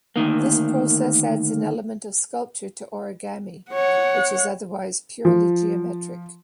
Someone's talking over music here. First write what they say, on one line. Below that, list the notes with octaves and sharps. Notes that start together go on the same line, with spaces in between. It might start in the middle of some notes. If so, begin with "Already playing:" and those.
This process adds an element of sculpture to origami, which is otherwise purely geometric.
D2 D#3 A#3
C#5 F#5
F3